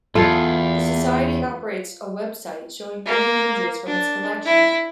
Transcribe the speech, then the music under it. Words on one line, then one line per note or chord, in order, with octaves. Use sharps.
The Society operates a website showing many images from its collection.
E2 F4 A4
A#3
D4
E4